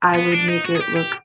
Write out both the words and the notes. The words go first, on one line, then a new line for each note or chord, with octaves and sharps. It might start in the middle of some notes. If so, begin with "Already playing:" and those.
I would make it look
B3
D4
D#4
F#4
G#4
G4
G4